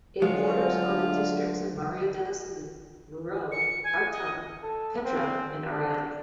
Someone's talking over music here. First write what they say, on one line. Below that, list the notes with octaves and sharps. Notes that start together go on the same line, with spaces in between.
It borders on the districts of Maria de la Salut, Muro, Artà, Petra and Ariany.
D2 D3 F#3 G#3 F4
C#7
G#5
D#5
A4
C4
D4